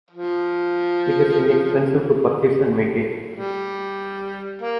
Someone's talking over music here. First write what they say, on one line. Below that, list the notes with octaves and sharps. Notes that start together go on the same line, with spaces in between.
It is inexpensive to purchase and maintain.
F3
G3
A#3